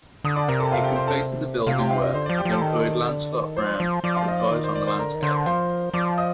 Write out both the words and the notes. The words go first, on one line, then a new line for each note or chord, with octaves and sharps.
He completed the building work and employed Lancelot Brown to advise on the landscaping.
D3 D#6
D5 D6
C3 A#4 A#5
A4 A5
F4 F5
G4 G5
C5 C6
A4 A5
C3 F4 F5
G4 G5
F4 F5
D#4 D#5
D3 C5
F3 D5
G4 G5
F3 A4 A5
D#3
D3
D#3
F3 C5 C6
F3
F3 D5 D6
F4 F5
D#4 D#5
D5
D#3 D5
C5
D5
C5 C6
D3 A#4 A#5
D#3
D3 C5 C6
F3 C5 C6
F3 D5 D6
D#5 D#6